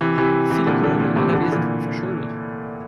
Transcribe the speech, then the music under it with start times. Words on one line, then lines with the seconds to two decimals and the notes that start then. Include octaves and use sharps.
Viele Kommunen in NRW sind hochverschuldet.
0.01 C3 E3
0.18 C3 E3
0.50 C3 E3
0.67 A#2 D3
0.83 A#2 D3
1.00 A#2
1.16 A2 C3
1.33 D3
1.42 E3
1.52 A#2 D3